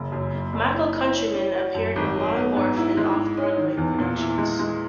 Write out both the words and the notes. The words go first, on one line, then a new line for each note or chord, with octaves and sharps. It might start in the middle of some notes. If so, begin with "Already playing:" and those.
Michael Countryman appeared in the Long Wharf and Off-Broadway productions.
Already playing: F#1 C#3
F#2
F#1
F#1
E4
E4
C#4
C#4
F#4
F#2
G#1
F#3
B3
G#2
E4
G#3
G#2
C#4
D#3
E2
A#2
E4
G#3
G#3